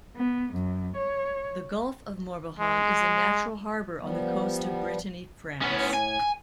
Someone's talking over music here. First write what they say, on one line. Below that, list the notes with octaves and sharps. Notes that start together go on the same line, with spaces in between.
The Gulf of Morbihan is a natural harbour on the coast of Brittany, France.
B3
F#2
C#5
G#3
F3 G3 B3
A2 B3 C#4
G#5